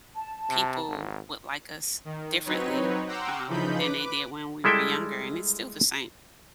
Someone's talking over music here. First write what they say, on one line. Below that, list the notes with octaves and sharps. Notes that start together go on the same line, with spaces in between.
people would like us differently, um, than they did when we were younger, and it's still the same.
A5
C3
G#1
D#3
F#3 C4 D#4 B4 C#5
F#5 G5 A#5 C6 D6 E6
C#3 E3 F3 D#4 B5 G6
B4 D6
G3 G#3 E4 A4 E5 G5